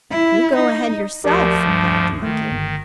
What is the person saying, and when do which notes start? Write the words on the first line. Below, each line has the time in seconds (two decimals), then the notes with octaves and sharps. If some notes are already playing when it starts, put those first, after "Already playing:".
"You go ahead yourself," replied the monkey.
0.11 E4
0.55 D#4
1.24 D2 F3 G4 A#4 D5
1.68 G2
2.22 D#3 A3
2.51 G1